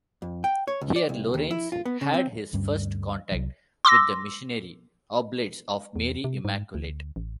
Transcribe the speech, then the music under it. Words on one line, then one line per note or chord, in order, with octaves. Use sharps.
Here Lorenz had his first contact with the Missionary Oblates of Mary Immaculate.
F2
G5
C#5
C#2
D5
C2
D#2
E4
F4
B3
C#3
C4
D2 G2 G3 C#4
C2 F#3
C6 D6 E6 A#6
E2
C3
G#2
D2
A1